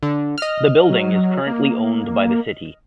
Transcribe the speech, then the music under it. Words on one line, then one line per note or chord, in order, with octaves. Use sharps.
The building is currently owned by the City.
D3
D#5 F6
F#3
A#3